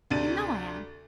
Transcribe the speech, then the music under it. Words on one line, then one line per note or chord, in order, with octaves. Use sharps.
You know I am!
D2 C3 D4 A6 D#7